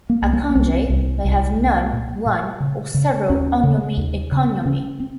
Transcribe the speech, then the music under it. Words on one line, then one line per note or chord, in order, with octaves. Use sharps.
A kanji may have none, one, or several on'yomi and kun'yomi.
A#3
C2
A#3
C2 C4
C2
C2
C2
A#2
A#2
C#3
C#3
D#2 C#4
C#3
D#2
C#3
C#3 C#4
C4